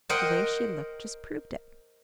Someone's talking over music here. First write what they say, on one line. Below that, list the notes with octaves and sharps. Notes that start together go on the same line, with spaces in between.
The way she looked just proved it.
A#4 C5 D#5 F#5 G5